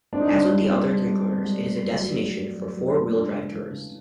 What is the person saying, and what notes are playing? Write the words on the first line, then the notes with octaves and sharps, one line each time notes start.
As with the other three corners it is a destination for four-wheel-drive tourists.
C4 D4
D#4
G3 D4
G3
C4
G3
G3
C4
G3
A3
F#2
F#3
A3
F#3
F#3
F#2
A3
G#3 D4
C#3
E3
C#3